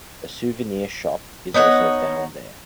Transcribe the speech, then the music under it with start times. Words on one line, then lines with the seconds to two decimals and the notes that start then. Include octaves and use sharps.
A souvenir shop is also found there.
1.54 B3 D#4 C#5 F#5